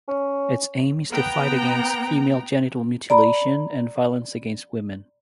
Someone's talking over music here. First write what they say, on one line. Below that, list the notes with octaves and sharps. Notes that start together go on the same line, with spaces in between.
Its aim is to fight against female genital mutilation and violence against women.
C#4
B3 G5 A#5
D5 A#5 B5